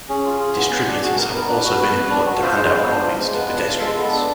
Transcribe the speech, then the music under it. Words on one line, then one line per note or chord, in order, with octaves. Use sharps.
Distributors have also been employed to hand out copies to pedestrians.
C#4 G#4
F4
G#4
B3
B3
D4
F#4 G#4
B3 A#4
B3 A#4
D4 B4
F#4
B3
B3
D4
F#4
F4 C5
G#3
B3
D4
F4
G#3
B3 B4
D4
F4
G#3 A4
B3
A4
D4